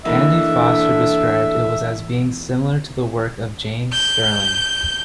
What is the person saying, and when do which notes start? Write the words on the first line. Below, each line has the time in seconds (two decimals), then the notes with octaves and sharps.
Andy Foster described it as being similar to the work of James Stirling.
0.05 D3 E3 A#3 D4 D#4 E5
3.92 G6